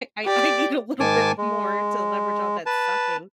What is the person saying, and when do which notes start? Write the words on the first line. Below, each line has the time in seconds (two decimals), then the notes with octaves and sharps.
I I need a little bit more to leverage out that sucking."
0.25 G4 D5
1.00 G#2 D#3 G#5 A5 D6
1.38 G#3
2.66 B4 A5